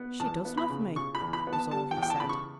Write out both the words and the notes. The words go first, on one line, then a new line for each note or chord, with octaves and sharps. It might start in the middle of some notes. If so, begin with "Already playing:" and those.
"She does love me," was all he said.
Already playing: B3
E2 A5
B3
B5
C#3
C#3 C#6
B5
E2
B5
B3
A5
G3 A5
G5
E2
G5
A5
C#3 B5
C#6